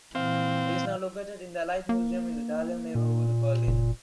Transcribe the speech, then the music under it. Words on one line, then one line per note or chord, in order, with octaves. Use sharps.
It is now located in the Allied Museum in the Dahlem neighborhood of Berlin.
A#2 E3 C4 F5
A#3
A#2
F#1